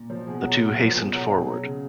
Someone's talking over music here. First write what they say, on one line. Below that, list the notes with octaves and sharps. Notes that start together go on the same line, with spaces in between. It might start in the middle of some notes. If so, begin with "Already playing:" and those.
The two hastened forward.
Already playing: A#2
F3
B2 G#4
F#3 F#4
F4
A#2
F#4
F3
A#4
B2 G#4
F#3 F#4
B2 G#4
F#3
C#3